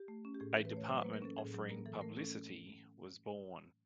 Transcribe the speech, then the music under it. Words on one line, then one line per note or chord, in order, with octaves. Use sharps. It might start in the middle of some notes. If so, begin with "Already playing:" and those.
A department offering Publicity was born.
Already playing: G4
A3
C#4
G4
A2 G#4
A#4
E3
B4
A3 C#5
F#3 C5
A#3 B4
A#4
C#4 A4
A2 G#4
F#3 G#4
A#3 A#4
E3 A4
A3 A#4
C#4 A4